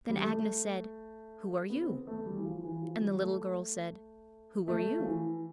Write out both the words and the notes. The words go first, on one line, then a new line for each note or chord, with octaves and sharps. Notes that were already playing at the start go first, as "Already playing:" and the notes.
Then Agnes said, "Who are you?" And the little girl said, "Who are you?"
G3
A3
B3
C4
B3
A3
G3
E3
F3
E3
F3
G3
A3
A3
F3
E3